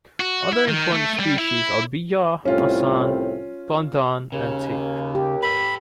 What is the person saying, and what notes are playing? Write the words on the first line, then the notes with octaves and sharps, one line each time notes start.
Other important species are bija, asan, bandhan and teak.
F#4
E4
D#3
A3
G3
E4
C2 A2 C4 C#4 F4
D#2 C#3
G4
A4 B4 B5